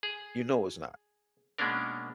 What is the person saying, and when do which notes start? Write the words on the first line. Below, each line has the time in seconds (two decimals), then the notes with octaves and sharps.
you know it's not,
0.03 G#4
1.58 B2 G#3 A#3 C#4 D4 A#4